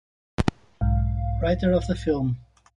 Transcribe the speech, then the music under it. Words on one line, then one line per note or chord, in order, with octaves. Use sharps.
Writer of the film.
B1 G#2 F5